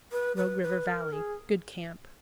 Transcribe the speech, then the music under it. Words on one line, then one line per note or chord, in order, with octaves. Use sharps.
Rogue River Valley.--Good camp.
B4
B4
B4
A#4
G#4